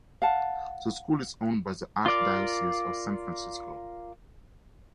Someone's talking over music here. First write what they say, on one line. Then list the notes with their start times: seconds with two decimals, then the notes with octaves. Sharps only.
The school is owned by the Archdiocese of San Francisco.
0.22 F5 F#5 A5
2.06 F4 A#4 D5 F5